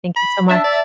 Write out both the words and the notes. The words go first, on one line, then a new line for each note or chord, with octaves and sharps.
Thank you so much.
B5
D4 E5 A5
D5